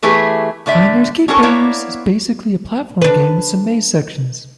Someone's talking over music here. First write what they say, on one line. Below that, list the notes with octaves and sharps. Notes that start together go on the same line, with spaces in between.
"Finders Keepers" is basically a platform game with some maze sections.
E3 A3 E4 G4 G#4 B4
A2 D3 D5 E5
C#4 D4 F#4 A4 A#4 C#5
A#3 B3 E4 C#5 D5
D4 B4